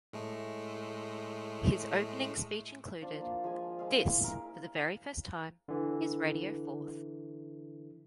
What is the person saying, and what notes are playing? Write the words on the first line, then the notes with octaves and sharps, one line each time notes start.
His opening speech included "This, for the very first time is Radio Forth".
A2 G#3 A3
F3 D4 F4
A#3
F3 G#3 G#5
G#3 F5
E4
A#4 F5
D3 E3